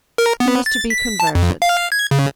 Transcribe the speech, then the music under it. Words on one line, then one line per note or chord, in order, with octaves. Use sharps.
He was to be converted.
A#4
B3
A6
B6
A5
F2
F5
G#6
C#3